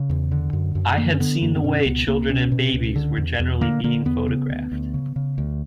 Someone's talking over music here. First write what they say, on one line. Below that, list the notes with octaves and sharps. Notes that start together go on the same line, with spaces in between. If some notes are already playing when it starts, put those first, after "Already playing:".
I had seen the way children and babies were generally being photographed.
Already playing: C#3
E2
D3
F#2
F#2
D3 A#3
C#4
D3 B3
F#2 A#3
B3
B2 C#4
C#2 B3
C#2 A#3
B2 C#4
B2
C#2
D3
E2
E2
D3 A#3
D3 A#3
E2 B3
C#3
D2
D2
C#3
C#3
D2